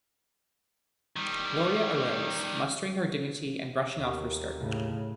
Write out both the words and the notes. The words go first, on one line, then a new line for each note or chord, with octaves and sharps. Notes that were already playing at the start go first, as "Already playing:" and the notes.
Gloria arose, mustering her dignity and brushing off her skirt.
D#3 G3
D#2
A2 C#3